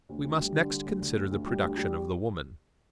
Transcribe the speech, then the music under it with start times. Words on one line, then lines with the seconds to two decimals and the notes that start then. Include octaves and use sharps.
We must next consider the production of the woman.
0.09 D2
0.24 D2
0.39 G3
0.55 D3
0.70 G3
0.85 D2
1.01 D3
1.16 D2
1.31 D2
1.46 G3
1.62 D2
1.77 G3